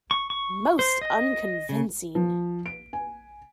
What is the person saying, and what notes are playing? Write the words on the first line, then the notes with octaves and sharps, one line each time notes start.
Most unconvincing!
C#6
C#6
C5
D#5
C#3
F3
D7
G#5